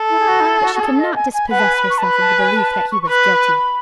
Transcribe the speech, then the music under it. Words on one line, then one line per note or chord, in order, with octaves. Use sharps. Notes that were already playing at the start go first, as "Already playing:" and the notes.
But she could not dispossess herself of the belief that he was guilty.
Already playing: A4
E4
G#4
F#4
D#4
E4
F#4
F#4
G#4
D#5
G#5
G#5
B4 F#5
A5
G#5
B5
C#6
A5
B4 B5
A5
G#5
A5
A5
C#6
C#6
B4 B5